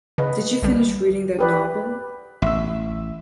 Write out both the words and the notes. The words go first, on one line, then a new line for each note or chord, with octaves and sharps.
Did you finish reading that novel?
C#3 B4 D#5
B1 D3 G3
G4 B4 D5
A1 E5 E6